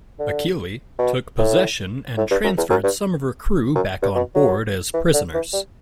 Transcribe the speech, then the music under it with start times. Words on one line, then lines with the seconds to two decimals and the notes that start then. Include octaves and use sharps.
"Achille" took possession, and transferred some of her crew back on board as prisoners.
0.19 D3
0.99 B2
1.39 A2
2.18 A2
2.31 G2
2.44 F#2
2.57 E2
2.70 F#2
2.84 G2
3.75 F#2
4.02 G2
4.15 B2
4.35 F#3
4.94 E3
5.14 D3
5.34 E3
5.53 G3